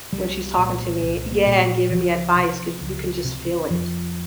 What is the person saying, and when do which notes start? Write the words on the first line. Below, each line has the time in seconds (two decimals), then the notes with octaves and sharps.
when she's talking to me Yeah, and giving me advice 'cause you can just feel it,
0.13 C2 G3
0.57 A#2
1.02 C2
1.32 A#3
1.46 A#2
1.90 C#2 F3
2.36 C3
2.81 C#2
3.24 C3
3.70 F2 F3